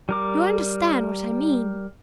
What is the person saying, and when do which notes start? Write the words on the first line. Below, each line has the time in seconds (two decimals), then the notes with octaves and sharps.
You understand what I mean.
0.09 G3 A#4 D6